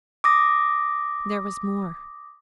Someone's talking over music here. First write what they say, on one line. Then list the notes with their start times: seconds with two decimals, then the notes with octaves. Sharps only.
There was more.
0.24 D6 D#6 A#6